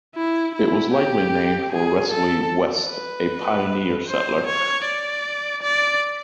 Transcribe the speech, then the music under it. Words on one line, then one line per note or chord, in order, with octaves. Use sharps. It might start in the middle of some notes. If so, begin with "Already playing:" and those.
It was likely named for Wesley West, a pioneer settler.
E4
E4
G4
G#4
A4
B4
C5
C#5
D5
D5